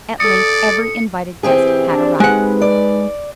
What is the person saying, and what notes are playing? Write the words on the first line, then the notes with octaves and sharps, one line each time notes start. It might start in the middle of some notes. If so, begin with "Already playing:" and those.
At length every invited guest had arrived.
A4 D5 D#6 C#7
A1 B2 E3 C4 G4 G#4
D4
G#3 D#4 B4 F#5
D5